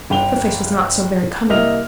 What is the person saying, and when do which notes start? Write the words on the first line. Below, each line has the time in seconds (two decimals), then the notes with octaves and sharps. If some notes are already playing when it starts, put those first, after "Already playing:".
The face was not so very cunning.
0.10 G1 G5 F7 G7
1.49 C2 A#3 D#5 E5 F6 F7